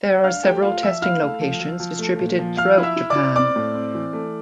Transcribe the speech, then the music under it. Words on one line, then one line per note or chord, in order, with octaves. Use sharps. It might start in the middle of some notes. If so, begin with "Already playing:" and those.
There are several testing locations distributed throughout Japan.
D4 F5 F6
A3 G4 G5
A3 F4 F5
F3 E5 E6
E4 F5 F6
A3
F3
F3
F3
A3
A#2
F3
F3 F5 F6
E4
E5 E6
E4
D5 D6
E4
C4 D5 D6
A2
C4
E3
A3